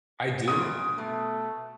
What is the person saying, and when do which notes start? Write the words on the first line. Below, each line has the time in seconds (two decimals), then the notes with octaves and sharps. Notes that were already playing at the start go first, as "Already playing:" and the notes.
I do.
0.48 G2 A#2 F#3 D#6
0.98 B2 A3